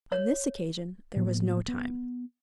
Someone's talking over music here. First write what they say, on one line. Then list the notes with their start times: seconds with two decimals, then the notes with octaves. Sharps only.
On this occasion there was no time.
0.12 C#5
1.16 A2 F3 A#3 B3
1.68 B3